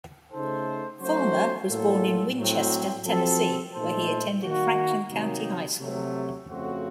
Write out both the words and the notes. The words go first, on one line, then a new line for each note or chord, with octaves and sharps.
Fulmer was born in Winchester, Tennessee, where he attended Franklin County High School.
C#3 A3 D#4 A4 C5
F#3 A3 C#4 F#4 C5
A2 F#3 A#3 F4 A4
A2 F#3 C4
F3 C4 F#4 A4
A#2 A3 D#4 A4 C5
D#3 A#3 D#4 F#4
C3 D#3 F#3 A#3 D#4
C3 F#3 A3
F2 C#3 A3 C4 F#4